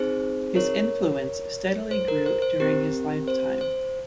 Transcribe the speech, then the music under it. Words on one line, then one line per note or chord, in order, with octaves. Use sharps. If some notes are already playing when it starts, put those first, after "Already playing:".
His influence steadily grew during his lifetime.
Already playing: C4 D#4 G#4 C5
A#4 C#5
C5
A#4
C5
C5
C4 G4 A#4
C5
C5